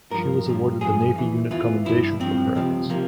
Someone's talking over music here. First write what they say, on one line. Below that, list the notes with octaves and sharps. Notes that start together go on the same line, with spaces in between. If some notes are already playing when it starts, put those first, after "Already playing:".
She was awarded the Navy Unit Commendation for her efforts.
G2 F3 A#4
G2 F3
G2 F3 G#4
E2 E3
E2 E3 F4
G2 F3 E4
G2 F3 C4
C#2 C3 F3
C3 F3 A#3